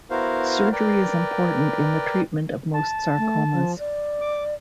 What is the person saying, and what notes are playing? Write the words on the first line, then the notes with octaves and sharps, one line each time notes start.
Surgery is important in the treatment of most sarcomas.
B3 E4 F#4 A#4 C5 F5
A#4 B4 D5 G5
A5
A3
F3
D5
D6